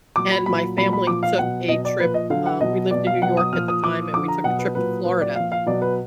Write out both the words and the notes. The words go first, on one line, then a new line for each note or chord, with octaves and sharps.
and my family took a trip. Um, we lived in New York at the time and we took a trip to Florida,
A#2 F#3 D6
B5
A#2 F#3 B5
A#2 F#3 B5
B5
A#2 F3 D6
F5
B2 F#3 F#5
B2 F#3 D#5
D5
A#2 F3 B4
D#5
D3 F#3 F5
F#5
B2 F#3 D#5
B2 F#3 D5
F5
B2 F#3 F#5
D#6
A#2 F3 F6
D#6
A#2 F3 D6
D3 F3 D6
A#5
B2 F#3 F#5
B4
A#2 F#3 B4
A#2 F#3 B4
D5
A#2 F3 F5
F5
B2 F#3 D5
B4